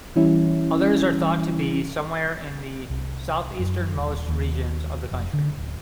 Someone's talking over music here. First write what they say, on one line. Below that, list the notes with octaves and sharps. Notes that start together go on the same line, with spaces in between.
Others are thought to be somewhere in the southeastern-most regions of the country.
E3 G3 C#4 E4
C2
F#2
D#1
D#2
F1
D3
D1